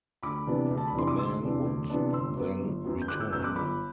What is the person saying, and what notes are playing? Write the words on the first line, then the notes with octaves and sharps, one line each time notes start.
The men would then return.
D2 B5 D6
C3 E3 B3 D4
D2
A5
B5
C3 E3 B3 D4 C6
D6
D2 C6 E6
C3 E3 B3 D4
D2
C3 E3 B3 D4
G1 C6 E6
F#2 F#3 B3
G1
F#2 F#3 B3
G6
G1 D6 F#6
E6 G6
F#2 F#3 B3 E6 G6
D6 F#6
G1 B5 D6